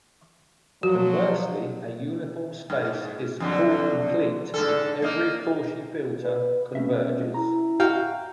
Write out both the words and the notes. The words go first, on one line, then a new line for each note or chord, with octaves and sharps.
Conversely, a uniform space is called complete if every Cauchy filter converges.
F3 F#3 F#4
G#2
F2 D3 F#3
G#2 D3 A4
A#3 D#4
B4
B2 A3 C#4 E5
E4 A#5
F#4 F5 G5